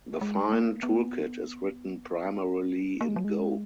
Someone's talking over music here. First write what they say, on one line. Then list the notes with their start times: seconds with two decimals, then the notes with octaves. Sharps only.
The Fyne toolkit is written primarily in Go.
0.21 G#3
0.52 A#3
0.83 B3
3.01 A#3
3.09 G#3
3.16 F#3
3.24 G#3